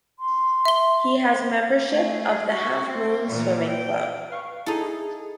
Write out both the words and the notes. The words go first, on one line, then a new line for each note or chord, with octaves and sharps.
He has membership of the Half Moon Swimming Club.
C6
E5 G7
A3 G#4
F#4
C4
A#2 E3
G5
B4 F5 C#6
D#4 E4 G#4 A4